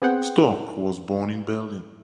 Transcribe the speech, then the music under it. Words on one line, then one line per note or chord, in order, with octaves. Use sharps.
Storck was born in Berlin.
B3 C4 G#4 C5 F#5 G5